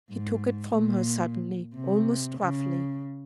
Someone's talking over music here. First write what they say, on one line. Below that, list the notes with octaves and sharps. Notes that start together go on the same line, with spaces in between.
He took it from her suddenly, almost roughly.
G#2
A#2
C3
C#3